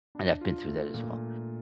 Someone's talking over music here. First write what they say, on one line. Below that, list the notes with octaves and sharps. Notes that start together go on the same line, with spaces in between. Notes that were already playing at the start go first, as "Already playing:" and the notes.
and I've been through that as well,
D4
F4
A3
A#2